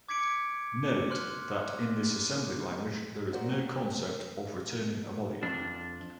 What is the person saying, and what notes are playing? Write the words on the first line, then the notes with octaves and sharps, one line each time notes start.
Note that in this assembly language, there is no concept of returning a value.
D6 G#6 B6 C#7 D7
C6 F6 F#6 F#7
A#3 F#4 C5 D5
F2 D4